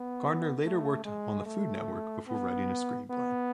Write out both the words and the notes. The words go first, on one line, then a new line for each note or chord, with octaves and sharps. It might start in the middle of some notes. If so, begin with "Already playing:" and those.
Gardner later worked on the Food Network before writing a screenplay.
Already playing: B3
A3
G#3
A3
B3
B3